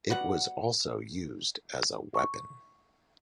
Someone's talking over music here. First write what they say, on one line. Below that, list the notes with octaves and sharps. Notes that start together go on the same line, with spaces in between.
It was also used as a weapon.
G3 B3 F#4 F#5
C#6